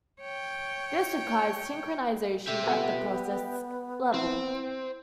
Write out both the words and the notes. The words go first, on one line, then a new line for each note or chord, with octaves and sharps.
This requires synchronization at the process level.
C#5 G5
G4 A4 E5
B3 F4 A4 F#5
C4 E4